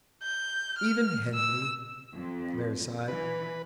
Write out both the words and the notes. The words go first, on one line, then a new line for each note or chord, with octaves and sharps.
"Even Henley!" Clare sighed.
G6
F6
E6
F2
E3 B4